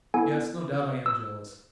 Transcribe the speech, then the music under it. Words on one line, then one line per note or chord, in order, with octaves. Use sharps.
Yes, no doubt I am jealous.
B3 E4 A4 G#5
E6